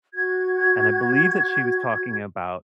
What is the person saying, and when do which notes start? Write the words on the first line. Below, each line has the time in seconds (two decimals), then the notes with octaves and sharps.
and I believe that she was talking about
0.14 F#4 G#6